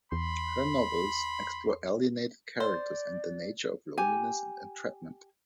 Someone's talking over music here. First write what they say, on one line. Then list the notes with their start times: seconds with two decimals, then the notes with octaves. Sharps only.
Her novels explore alienated characters and the nature of loneliness and entrapment.
0.12 E2 B5 C6
2.60 C5 D5
3.98 G4 G#5